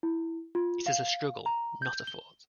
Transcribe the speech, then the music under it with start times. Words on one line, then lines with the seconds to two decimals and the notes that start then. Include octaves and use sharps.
It is a struggle, not a thought.
0.03 E4
0.55 F4
0.87 F5
1.46 A#5
1.82 G6
2.07 G7